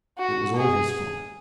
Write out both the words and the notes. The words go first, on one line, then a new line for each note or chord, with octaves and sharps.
It was all his fault.
F#4
G#4